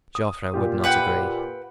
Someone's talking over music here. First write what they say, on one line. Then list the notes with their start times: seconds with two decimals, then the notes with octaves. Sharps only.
Joffre would not agree.
0.15 D#6
0.54 A#2 F4 G4
0.84 B4 F#5 G5